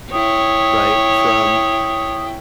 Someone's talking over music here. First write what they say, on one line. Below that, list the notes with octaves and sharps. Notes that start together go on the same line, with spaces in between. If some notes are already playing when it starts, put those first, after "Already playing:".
right, from
E4 C#5 G5 D#6